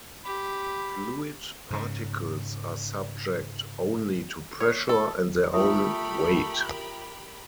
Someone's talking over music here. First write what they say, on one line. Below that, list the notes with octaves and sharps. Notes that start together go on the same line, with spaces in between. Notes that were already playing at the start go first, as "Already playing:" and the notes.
Fluid particles are subject only to pressure and their own weight.
G4 B5
G#2 C#3
C#5
A4
A3 F4 G4 A#4 E5 B5 D#6